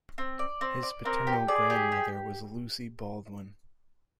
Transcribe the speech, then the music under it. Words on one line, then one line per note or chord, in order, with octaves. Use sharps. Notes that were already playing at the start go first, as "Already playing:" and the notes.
His paternal grandmother was Lucy Baldwin.
C4
D5
C4
D5
C4 A#4
G4
G#4 D5
G4
G4